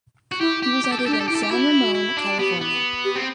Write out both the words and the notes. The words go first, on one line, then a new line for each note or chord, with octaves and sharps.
He resided in San Ramon, California.
F#4
E4 G4
G4
G4
A4
G4
D4 A4
G4
A4
E4 G4
A4
G4
E4 F#4
F#4
E4
D4
B3 G4
B3
G4
C4